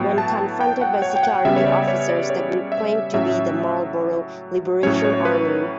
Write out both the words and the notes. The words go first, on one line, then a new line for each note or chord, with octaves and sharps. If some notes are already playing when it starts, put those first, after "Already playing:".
When confronted by security officers, the group claimed to be the Marlborough Liberation Army.
Already playing: A2 F#3 B3 G5
A5
G5
F#5
C#5
G5
F#5
C#3 G3 B3 E5
C#5
D5
C#5
D5
C#5
E5
A2 F#3 C#4 E5
A2 F#3 C#4 C#5
C#5
B4